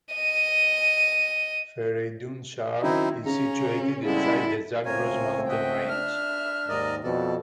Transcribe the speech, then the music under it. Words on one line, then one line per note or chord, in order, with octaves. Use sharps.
Fereydunshahr is situated inside the Zagros mountain range.
D#5 D#7
F#2 D#3 C4 D#4 E4
C#3 C#4 A#5
C#3 G3 G#3 B3 E4 A4
C#2 A3 C4 F4 A#4 C#5 G#5
D#5 E5 F#5 G5
D4 E5 F6
D#2 G#2 A#4 D5 D#5
F2 B2 A4 D5